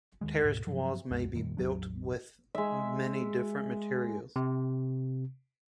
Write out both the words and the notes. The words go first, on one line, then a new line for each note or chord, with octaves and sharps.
Terraced walls may be built with many different materials.
D#2 D#3 G#3
D2 G#2 B2
G2 C3 F3 F#3
C2 F#2 G#3
F2 A#2 D#3 G3
A1 E2 F#3 D4
G#3 E5
C3